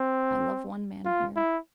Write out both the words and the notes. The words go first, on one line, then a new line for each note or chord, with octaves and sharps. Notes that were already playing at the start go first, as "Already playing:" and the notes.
I love one man here.
Already playing: C4
F4
E4